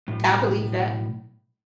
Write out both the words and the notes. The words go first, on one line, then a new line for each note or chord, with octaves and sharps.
I believe that.
B1 A2